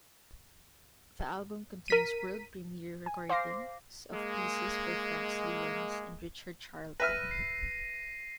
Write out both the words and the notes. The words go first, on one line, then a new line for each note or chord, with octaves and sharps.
The album contains world premier recordings of pieces by Franks Lyons and Richard Charlton.
A#4 B6 D#7
G#5
C5 F5 D6 A#6 C7
G#3 A#3
B4 E5 F6 A#6 D#7
C7